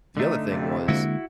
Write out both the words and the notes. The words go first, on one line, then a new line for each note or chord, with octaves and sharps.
the other thing was
D3 A3 D#4
F2 C3
D3 G#3 A#3 E4 F#4